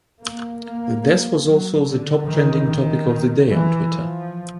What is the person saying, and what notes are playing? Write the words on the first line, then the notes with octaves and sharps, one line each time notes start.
The death was also the top trending topic of the day on Twitter.
A#3
A#3
F#3
D3
D#3
D#3
E3
F3